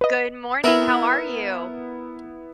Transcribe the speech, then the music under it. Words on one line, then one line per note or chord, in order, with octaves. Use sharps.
Good morning. How are you?
B4 D#5
B3 E4 A#4 E5